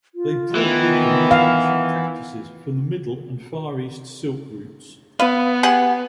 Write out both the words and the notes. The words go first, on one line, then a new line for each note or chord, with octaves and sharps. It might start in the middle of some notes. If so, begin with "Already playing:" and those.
They brought with them ancient practices from the Middle and Far East silk routes.
F4
D#3 E3 B3
F5 F#5
B3 B4 F5
G4 G#4 F#5